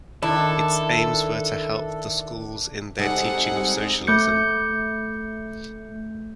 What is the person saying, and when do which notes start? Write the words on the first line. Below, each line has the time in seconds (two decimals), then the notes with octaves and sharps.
Its aims were to help the schools in their teaching of Socialism.
0.23 D#3 D4 E4 A4
2.99 C3 G3 G#3 D#4 G#4 A4 F#5
4.07 A3 G6 C#7